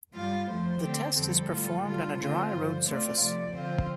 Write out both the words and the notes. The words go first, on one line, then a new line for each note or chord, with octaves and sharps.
The test is performed on a dry road surface.
G2 G3 F4 F5
F2 F3 A3 C5
D3 A3 C4 G4
F2 D3 G3 C4 A4
A2 G3 F4
D3 G3 F4 A4
D3 A3 C4 F4 C5
G2 D3 F3
A2 A3 C4 F4 D5
C3 F3 A3 D5
D3 F3 C4 F4 C5